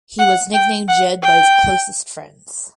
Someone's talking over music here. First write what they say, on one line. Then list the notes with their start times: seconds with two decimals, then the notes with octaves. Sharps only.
He was nicknamed "Jed" by his closest friends.
0.19 F#5
0.54 G5
0.88 F#5
1.22 G5